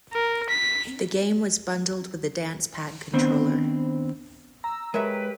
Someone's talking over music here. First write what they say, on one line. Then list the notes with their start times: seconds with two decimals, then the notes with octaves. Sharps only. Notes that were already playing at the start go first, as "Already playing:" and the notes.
The game was bundled with the dance pad controller.
0.13 A#4
0.50 B6
3.13 D#3 B3 C4 D4 C5
4.64 A#5 E6
4.94 G#3 G4 A#4 B4 C#5 E5